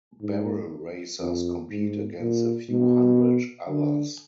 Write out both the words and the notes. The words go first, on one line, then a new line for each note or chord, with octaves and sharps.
Barrel Racers compete against a few hundred others.
G#2
F2
G#2
A#2
B2
D3